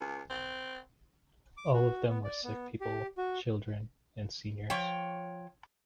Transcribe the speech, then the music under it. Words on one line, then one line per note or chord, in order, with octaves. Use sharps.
All of them were sick people, children and seniors.
C#2
C4
D6
F#4
B3
D5
B3
G4
F#4
F3 C#5 G5